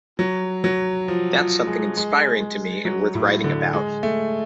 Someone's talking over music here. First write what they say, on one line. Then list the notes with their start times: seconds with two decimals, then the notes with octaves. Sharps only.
That’s something inspiring to me and worth writing about.
0.19 F#3
0.64 F#3
1.08 F3
1.38 F3
1.67 G#3
1.97 G#3
2.40 G#3
2.85 F#3
3.15 A2
3.44 D3
3.73 G#3
4.03 A3